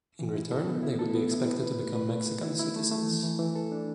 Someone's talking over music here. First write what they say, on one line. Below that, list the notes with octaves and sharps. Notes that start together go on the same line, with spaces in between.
In return, they would be expected to become Mexican citizens.
E3
E4
A4
B3
E4
A4
B3
E4
B4
B4
A3
B4
A3
E4
E4
E4
A3
A3
E3
E3
E3
A4
D4